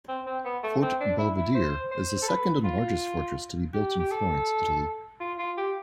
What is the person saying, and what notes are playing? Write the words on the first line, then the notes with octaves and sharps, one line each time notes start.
Forte Belvedere is the second and largest fortress to be built in Florence, Italy.
C4
C4
B3
A3
C4
D4
E4
E4
C5
C5
A4
B4
F4
G4
G4
A4
F4
F4
G4